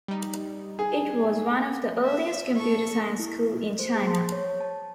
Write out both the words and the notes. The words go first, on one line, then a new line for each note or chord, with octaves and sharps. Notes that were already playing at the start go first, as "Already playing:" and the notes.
It was one of the earliest computer science school in China.
G3 D#4
G#4
E5
A4 C#6
E4
C5
G#4
C6
C#5
A5